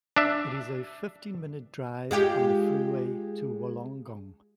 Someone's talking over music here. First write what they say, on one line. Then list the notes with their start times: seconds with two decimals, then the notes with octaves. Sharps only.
It is a fifteen-minute drive on the freeway to Wollongong.
0.16 D4 E5
2.11 G#3 F4 G4